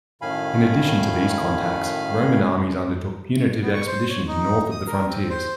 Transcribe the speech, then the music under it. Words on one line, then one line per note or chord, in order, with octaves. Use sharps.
In addition to these contacts, Roman armies undertook punitive expeditions north of the frontiers.
F#2 A2 D#3 F5 G#5 B5
B3
C#6
C5
C#5
D#4
D#6
A#4
C4
C5